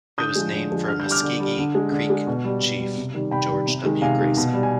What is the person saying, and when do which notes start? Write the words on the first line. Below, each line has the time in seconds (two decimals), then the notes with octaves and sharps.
It was named for a Muscogee Creek chief, George W. Grayson.
0.18 D3 D#6 G6
0.36 F3 G#3
0.53 D3
0.71 F3 G#3
0.88 D3 F6
1.00 G6
1.05 G3
1.11 D6 F6
1.23 D3
1.40 G3
1.58 D3
1.75 G#3
1.92 D3
2.10 G#3
2.27 B2
2.45 G3
2.62 B2
2.80 G3
2.97 C3
3.14 D#3 G3
3.31 C3 G5 B5
3.49 D#3 G3
3.67 C3
3.84 D#3 G#3
4.02 C3 F5 G#5
4.19 D#3 G#3
4.37 B2
4.54 G3
4.63 G#5